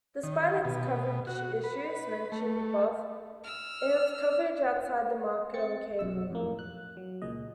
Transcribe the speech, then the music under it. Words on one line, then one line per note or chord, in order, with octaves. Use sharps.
Despite its coverage issues mentioned above, it has coverage outside the market on cable.
D#3
B2
F#4
B4
A3
E6 F6
C4 A6 C#7
F#2 B2 E6
F2 A2 A#3
F#6
F#3
C#2 A#2 G#3 D#5